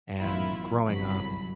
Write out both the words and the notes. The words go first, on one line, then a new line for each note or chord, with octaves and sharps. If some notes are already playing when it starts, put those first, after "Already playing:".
And growing up,
A1 F#2 D#3 B3 E4 F4
G1 C2 F#2 F#3 B5